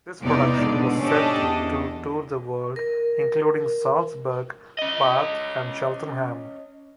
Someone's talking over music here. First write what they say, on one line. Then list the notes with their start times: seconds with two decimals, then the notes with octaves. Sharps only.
This production was set to tour the world, including Salzburg, Bath and Cheltenham.
0.24 E2 C3 B3 D#4 D5
0.59 G#2 B2 D3
1.03 C#4 D4 G4 A4 D#5
1.40 E2
2.76 A#4
4.78 C#4 D#5